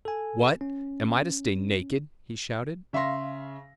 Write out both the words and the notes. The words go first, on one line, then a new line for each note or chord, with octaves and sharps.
"What, am I to stay naked?" he shouted.
A4 G#5
C#4
C#3 E5 F5 C6 A#6